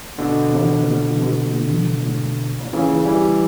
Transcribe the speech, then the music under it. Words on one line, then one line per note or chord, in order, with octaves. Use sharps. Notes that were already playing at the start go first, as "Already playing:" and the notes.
Malta was the lynch-pin of the whole system.
B2 D3
C#3 E3
E3 G3